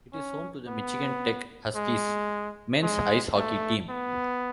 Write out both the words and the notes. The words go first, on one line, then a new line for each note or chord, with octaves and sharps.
It is home to the Michigan Tech Huskies men's ice hockey team.
C#4
B3
G#3
G#3
A3
B3